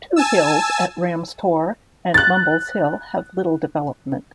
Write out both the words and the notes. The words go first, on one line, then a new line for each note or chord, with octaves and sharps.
Two hills at Rams Tor and Mumbles Hill have little development.
G#5 A5 E6
F#6 A6